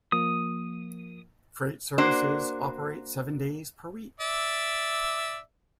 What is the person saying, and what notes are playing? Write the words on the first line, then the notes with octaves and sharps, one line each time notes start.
Freight services operate seven days per week.
F3 A#3 D#6
A#3 D4 F#4 C5
D5 E5